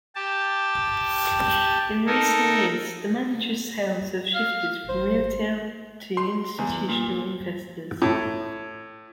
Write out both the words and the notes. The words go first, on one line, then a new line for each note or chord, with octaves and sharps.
In recent years, the manager's sales have shifted from retail to institutional investors.
G4 A5
D#4 A4 A#4
F5
G#1 C5
C6
E2
A#2
A2